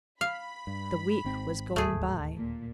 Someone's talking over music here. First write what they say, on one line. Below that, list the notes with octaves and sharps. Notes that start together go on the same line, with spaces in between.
The week was going by.
F5 B5
G2
G#1 G#2 C4
D1 D#2 A3 G#4
A#2